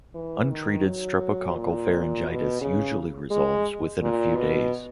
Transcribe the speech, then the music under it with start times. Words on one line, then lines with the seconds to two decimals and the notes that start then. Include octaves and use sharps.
Untreated streptococcal pharyngitis usually resolves within a few days.
0.15 E3
0.51 D#3
0.86 F#3
1.56 A#2
2.26 B2
2.61 C#3
3.30 G#3
4.01 A#2
4.36 B2